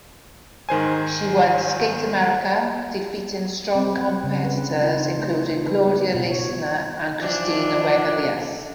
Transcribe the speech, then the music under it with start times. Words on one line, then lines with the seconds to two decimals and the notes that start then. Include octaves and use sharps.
She won Skate America, defeating strong competitors including Claudia Leistner and Kristina Wegelius.
0.69 G#2 D#3 C5 G#5
3.75 C4
3.98 F#5
4.24 C#3
4.45 B4
4.58 D4
4.81 F4
4.97 D#4
5.18 A3
5.65 B4
5.87 B3
6.15 B2
6.30 C#5
7.20 E3 F3 D4